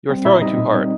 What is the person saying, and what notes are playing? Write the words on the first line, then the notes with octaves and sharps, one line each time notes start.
You are throwing too hard!
G3 C4
A#2 E4 E5
G3 C4 D#4 D#5
A#2
G3 C4